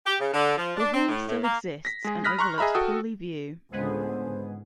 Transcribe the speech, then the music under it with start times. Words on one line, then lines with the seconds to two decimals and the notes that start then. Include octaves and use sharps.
The hall still exists and overlooks Pooley View.
0.06 G4
0.20 C#3
0.34 D3
0.58 F3
0.77 D4
0.93 C4
1.09 A2
1.27 A2
1.44 A#3
1.85 A#6 B6
2.04 G#3 G#4
2.24 B5 D#6 F6 F#6 A#6 B6
2.39 A#5 C6 C#6 F#6
2.58 G#4 D#5 E5 A#5 B5
2.75 F#4 A4 G5 D#6 E6
3.72 C#2 A2 D3 G#3 B3 G#4 C5
4.25 G#2